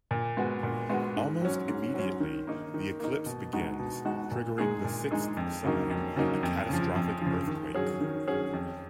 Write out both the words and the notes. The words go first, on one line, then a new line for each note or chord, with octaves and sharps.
Almost immediately, the eclipse begins, triggering the sixth sign, a catastrophic earthquake.
A#2
G#3 B3 F#4
A#2
G#3 B3 F#4
G#2
F#3 C#4
G#2
F#3 C#4
D#3
A#3 D#4
D#3
A#3 D#4
B2
G#3 D#4 F#4
B2
G#3 D#4 F#4
A#2
G#3 D#4 G#4
A#2
G#3 D#4 G#4
F2
C#3 F#3 A#3 D#4
F2
C#3 F#3 A#3 D#4
F2
C#3 F3
F2
C#3 F3
D#3
F#3 C#4 G#4
D#3
F#3 C#4 G#4
F2